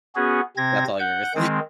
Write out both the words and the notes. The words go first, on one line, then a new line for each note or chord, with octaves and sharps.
That's all yours.
B3 C#4 F#4 G#4
C3 C4 G#6 A#6
F#5 G6
D#3 G#3 C4